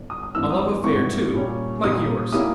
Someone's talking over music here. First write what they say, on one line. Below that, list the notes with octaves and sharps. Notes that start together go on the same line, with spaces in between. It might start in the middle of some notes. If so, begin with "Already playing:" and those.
A love affair too--like yours.
Already playing: G1
D#6
D#6
G#1 G2 E3 E6
D#6
G#1 G2 E3 C#6
A#2 G3 C#4
A#2 G3 C#4 D#6
G3 A#3 C#4 E4 D#6